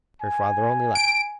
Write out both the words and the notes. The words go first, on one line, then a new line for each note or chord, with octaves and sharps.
Her father only laughed.
G#5
D7